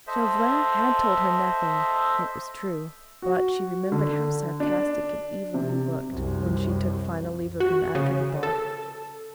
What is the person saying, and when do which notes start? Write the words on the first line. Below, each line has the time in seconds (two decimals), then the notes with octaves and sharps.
Chauvelin had told her nothing, it was true; but she remembered how sarcastic and evil he looked when she took final leave of him after the ball.
0.07 A4 C5 D#5 E5
3.22 F#4
3.92 D3
4.60 D4
5.54 C3
6.08 C2 F#2
7.60 F#4
7.95 C#3
8.43 A4